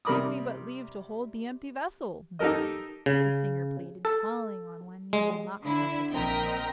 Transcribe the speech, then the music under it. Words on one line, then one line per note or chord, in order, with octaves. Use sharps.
"Give me but leave to hold the empty vessel, then," the singer pleaded, falling on one knee in mock supplication.
C3 G3 A#4 B5 D6 D#6
D#4 G4 A4 A#4 D#5
C#3
A4
G#3
D3 E4
A#1 C4 A#4 D#5 G5 B6